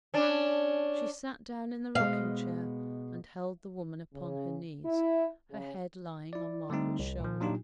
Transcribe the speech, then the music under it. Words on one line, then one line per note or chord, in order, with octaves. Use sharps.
She sate down in the rocking chair, and held the woman upon her knees, her head lying on Margaret's shoulder.
C#4 D4
B2 G#3 F5
C#3
E4
C#3
E4 D5
D3 G3 A3 C4 D#4
C2
A#2 F3
A#2 F#3 D4 D#4 F4 G4